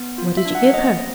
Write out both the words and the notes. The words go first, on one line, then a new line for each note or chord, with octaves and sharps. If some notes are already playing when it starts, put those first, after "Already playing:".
'What did you give her?'
Already playing: B3
F4
E5
D4
F#5
A#3 D#5